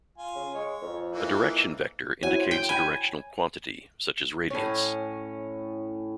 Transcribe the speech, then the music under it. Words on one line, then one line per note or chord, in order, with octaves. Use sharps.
A direction vector indicates a directional quantity, such as Radiance.
F4 G#5
C#3
G#3 C#5
F2
E3 A#3 D#4
E4 F#4 C#5 F#5 G#5
C5
G5
G5 G#5 B5
A2 C#4